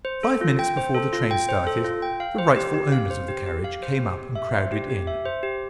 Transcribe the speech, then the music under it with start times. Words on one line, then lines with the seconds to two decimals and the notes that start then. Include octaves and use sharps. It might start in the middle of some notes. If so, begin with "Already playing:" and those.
Five minutes before the train started, the rightful owners of the carriage came up and crowded in.
0.05 C5
0.23 A4
0.41 F4
0.59 G5
0.77 C5
0.94 A4
1.13 F4
1.31 G5
1.49 C5
1.67 A4
1.85 F4
2.02 G5
2.20 F5
2.39 C5
2.56 G4
2.74 G4
2.92 F5
3.10 C5
3.28 G4
3.46 G4
3.64 F5
3.82 C5
4.00 G4
4.18 G4
4.35 E5
4.53 C5
4.72 G4
4.90 G4
5.07 E5
5.26 C5
5.43 G4